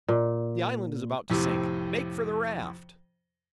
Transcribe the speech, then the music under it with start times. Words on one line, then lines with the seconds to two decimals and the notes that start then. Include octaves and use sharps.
"The island is about to sink! Make for the raft!"
0.09 A#2
1.30 F2 A2 C3